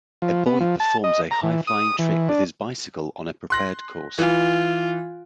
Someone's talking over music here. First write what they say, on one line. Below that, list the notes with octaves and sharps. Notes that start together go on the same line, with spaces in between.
A boy performs a highflying trick with his bicycle on a prepared course.
F3
B3
F3
A5
D#5
A#5
E3
D#6
E3
D4
C6 F#6 A#6
E3 F4